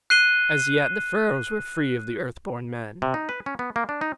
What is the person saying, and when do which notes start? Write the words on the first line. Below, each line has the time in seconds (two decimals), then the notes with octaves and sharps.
As yet the furrows were free of the Earth-born Men.
0.10 F#6 C7 D#7 G7
3.02 C3
3.14 D#4
3.29 B4
3.46 C#4
3.59 B3
3.76 A#3
3.89 D4
4.01 D#4